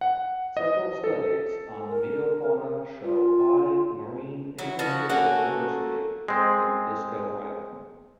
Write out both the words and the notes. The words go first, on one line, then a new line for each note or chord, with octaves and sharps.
Several studies on the meiofauna show high marine interstitial diversity in Disko Island.
F#5
D#5
A4
A#4
F4
F#3 E4
C#3 F3 F#4
A3 A#3 C#4 F#4
G#3 C4